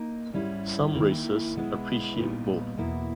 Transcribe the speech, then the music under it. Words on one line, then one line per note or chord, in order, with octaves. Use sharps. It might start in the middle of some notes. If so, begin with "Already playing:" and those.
Some races appreciate both.
Already playing: A#3 D#4
G#2 G3 C#4 E4
D#3 A#3 E4
B2 G#3 B3 E4
A#2 G3 B3 D#4
E2 B2 A#3 E4